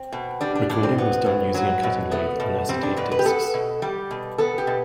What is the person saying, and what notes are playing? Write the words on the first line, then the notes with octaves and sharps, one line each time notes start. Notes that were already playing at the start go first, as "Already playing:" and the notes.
Recording was done using a cutting lathe and acetate discs.
Already playing: C4
B2
G3 D4
D4
A2 D4
C4
B3
A2
F#3
B2
A3 B3
B2
G3 C4
D4
B2 B4
B4
G4
B3 A4
B2
G3 G4
B2
B3 A4
G4
B2